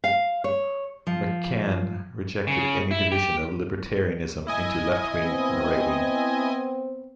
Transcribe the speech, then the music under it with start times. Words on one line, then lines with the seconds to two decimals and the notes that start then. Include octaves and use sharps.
Machan rejected any division of libertarianism into "left wing" and "right wing".
0.04 F5
0.44 C#5
1.07 F3
2.47 C#3
2.91 E4
3.12 G4
4.47 E4 D#5 G#5
5.21 B3 C4